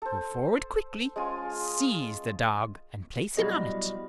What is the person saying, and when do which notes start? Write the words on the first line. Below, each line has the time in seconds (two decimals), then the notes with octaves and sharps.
Go forward quickly, seize the dog and place him on it.
0.02 A4 C5
1.16 G#3 C#4 F4 G#5
3.37 B2 F#3 G3 B3 E4 D#5